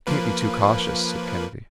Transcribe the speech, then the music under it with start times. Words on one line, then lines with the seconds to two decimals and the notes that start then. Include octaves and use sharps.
"We can't be too cautious," said Kennedy.
0.07 F3 A#3 B4